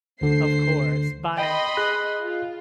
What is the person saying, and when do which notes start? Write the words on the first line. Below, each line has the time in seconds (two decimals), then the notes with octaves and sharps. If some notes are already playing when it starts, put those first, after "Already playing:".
Of course. Bye.
0.21 D2 D3 C5 C7
1.38 D#5 G5 B5 C6
1.77 G#4 F#6
2.21 F4